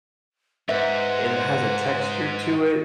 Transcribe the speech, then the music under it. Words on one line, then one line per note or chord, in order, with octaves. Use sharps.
it has a texture to it
G#2 B4 C5 E5 F#5